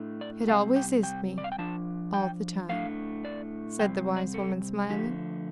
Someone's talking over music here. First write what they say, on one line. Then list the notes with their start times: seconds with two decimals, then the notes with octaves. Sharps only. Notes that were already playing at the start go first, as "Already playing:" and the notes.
"It always is me, all the time," said the wise woman, smiling.
Already playing: A2 A3 D4
0.21 D5
0.48 C3 G3 C4 F5
0.76 G5
1.03 G5
1.38 D5
1.44 F5
1.52 G5
1.58 F3 D4 A5
2.14 G5
2.69 A2 A3 D4 F5
3.25 D5
3.80 C3 G3 C4 G5
4.16 D5
4.34 A4
4.90 D3 F3 A3 G4